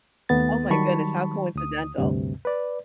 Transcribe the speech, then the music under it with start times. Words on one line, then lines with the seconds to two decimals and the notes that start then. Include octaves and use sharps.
Oh my goodness, how coincidental.
0.29 D#2 A3 B3 A6
0.70 D#3 F#3 G3 A5 B5 C#6
1.55 D2 D#6
1.98 D2 G2 C3
2.45 B4 D5